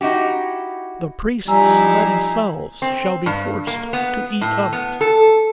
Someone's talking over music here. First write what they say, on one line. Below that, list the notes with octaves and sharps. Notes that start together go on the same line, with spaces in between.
The Priests themselves shall be forced to eat of it.
D#4 E4 F#4 G4
F3 G3 D#4 E4 G#5 A#5 E6
C4
G2
A#3
B3
A2
B3
A4